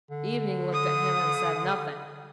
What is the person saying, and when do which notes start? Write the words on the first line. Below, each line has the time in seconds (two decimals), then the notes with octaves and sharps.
Evening looked at him and said nothing.
0.11 D3
0.73 D#6